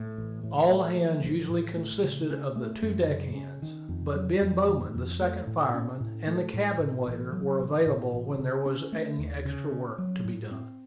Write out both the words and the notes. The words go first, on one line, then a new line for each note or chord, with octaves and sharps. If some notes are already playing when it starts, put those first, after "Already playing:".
All hands usually consisted of the two deck hands; but Ben Bowman, the second fireman, and the cabin-waiter were available when there was any extra work to be done.
Already playing: A2
A1
A2
A3
F3
A1
A2
A3
C#3
C#4
A3
F#2
C#3
C#4
D#3
F2
F#3
F2
D#3
F2
A3
A2
C#4
A2
A3
A2
A2
A1
F#3
A1
A2
A1
C#3
C#4
A3
D#2
C#3
C#4
F#3
A2
C4